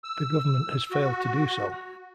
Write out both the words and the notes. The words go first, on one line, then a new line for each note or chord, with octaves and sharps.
The government has failed to do so.
E6
F#4